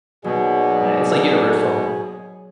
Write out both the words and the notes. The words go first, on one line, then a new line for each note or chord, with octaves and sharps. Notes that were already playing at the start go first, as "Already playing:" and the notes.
Yeah, it's like universal.
B2 F#3 A#3 D#4 G#4 D5